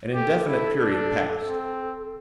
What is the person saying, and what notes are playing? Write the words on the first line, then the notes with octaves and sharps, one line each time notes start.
An indefinite period passed.
G4 A4
E4
D4
C4